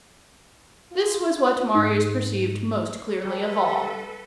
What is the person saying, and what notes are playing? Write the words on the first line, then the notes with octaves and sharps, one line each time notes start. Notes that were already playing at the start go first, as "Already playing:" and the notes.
This was what Marius perceived most clearly of all.
F4
G#2 D#4
G3 A4 B4